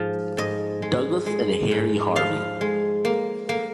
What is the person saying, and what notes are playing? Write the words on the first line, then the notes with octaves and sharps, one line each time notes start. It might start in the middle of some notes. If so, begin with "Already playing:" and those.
Douglas and Harry Harvey.
Already playing: G#2 F3
G#2 D#5
G#3
G#3
G#2
F3 F5
G#3
A#3
A#3